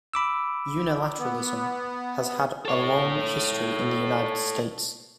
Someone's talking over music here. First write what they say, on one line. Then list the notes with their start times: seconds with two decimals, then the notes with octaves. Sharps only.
Unilateralism has had a long history in the United States.
0.14 B5 D6 E6
1.18 B3
2.65 A4 C#5